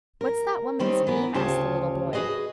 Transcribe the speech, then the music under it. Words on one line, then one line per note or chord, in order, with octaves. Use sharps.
"What's that woman's name?" asked the little boy.
A#4
D#3 G3 C4 C#4 D#4
E3 B3 A#4
D2 C#3 F4 G4 C#5 A5
F#4 G#4 B4 D#5